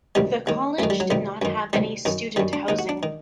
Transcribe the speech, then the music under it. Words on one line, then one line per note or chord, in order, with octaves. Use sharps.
The college did not have any student housing.
D2 C3 D#3 G3
D#2 D#3
F#2 D#3 A3
G3
F#3
D2 C3 D#3 G3
F#2 D#3
D2 C3 D#3 G3
F#2 D#3
F#2 D#3 G3
D4
D#2 D#3 D#4
F#4
D4
D#3